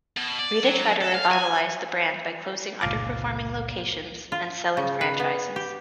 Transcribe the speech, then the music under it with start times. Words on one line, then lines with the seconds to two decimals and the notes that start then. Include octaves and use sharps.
Rita tried to revitalize the brand by closing under-performing locations and selling franchises.
0.17 B2
0.39 D5
0.63 F#3
1.01 A4
1.14 F5
1.32 G#5
2.81 G1 C#2 A#2 F5 D6
4.32 F4
4.77 C#3
5.01 B4
5.20 B3
5.56 G4